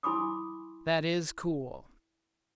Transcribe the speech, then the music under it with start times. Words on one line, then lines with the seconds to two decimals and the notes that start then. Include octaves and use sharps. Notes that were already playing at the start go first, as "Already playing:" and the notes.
That is cool.
0.03 E4 G#5 B5 C6 D6 D#6